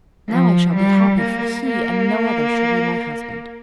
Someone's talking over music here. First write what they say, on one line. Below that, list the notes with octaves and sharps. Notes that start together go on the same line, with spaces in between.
Now I shall be happy, for he and no other shall be my husband.'
F3
G3
A#3
A#3